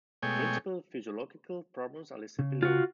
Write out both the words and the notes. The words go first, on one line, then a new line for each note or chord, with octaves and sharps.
The principal physiological problems are listed below.
B2 G#3 A3 C#5 G5 G#5
C#3
F4 F#4